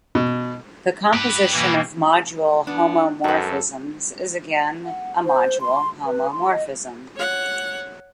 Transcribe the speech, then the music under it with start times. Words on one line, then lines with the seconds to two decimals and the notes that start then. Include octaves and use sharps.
The composition of module homomorphisms is again a module homomorphism.
0.15 B2
1.13 G4 B4
1.52 B2 E3 A#3
2.67 B3 D4
3.24 F#2 F#4 A4 B4
4.85 F#5
5.25 C5
5.61 C6
6.06 B4
6.31 C6
6.51 D#5
7.16 C#5 F#5